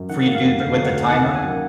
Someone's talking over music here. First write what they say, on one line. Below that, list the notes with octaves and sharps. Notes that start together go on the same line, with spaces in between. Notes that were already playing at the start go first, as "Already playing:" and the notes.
for you to do th with the timer.
Already playing: F#2
D#3 F#5
A#3
F5
F2
D3 F5
F#3
F#5
D2
D#3 F#5
A#3
G#5
F#2